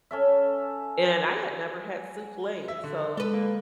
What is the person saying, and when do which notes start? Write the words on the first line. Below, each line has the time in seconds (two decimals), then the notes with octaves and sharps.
and I had never had souffle, so,
0.11 C#4 A4 E5
2.68 E5
2.84 D3
3.17 G#3 A4 B4
3.33 A#3